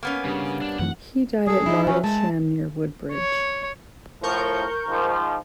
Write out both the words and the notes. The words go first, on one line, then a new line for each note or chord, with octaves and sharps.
He died at Martlesham, near Woodbridge.
A#3 B3 C#4
G2 C#3
D4
F1 F#2 E3 A3 F#5
G3 G#4 A4
F3 D#4 E4
F#3 C#4 B4
G#3 A5
C#5
A2 F3 A#4 C#6 G6
G#2 D#3 F3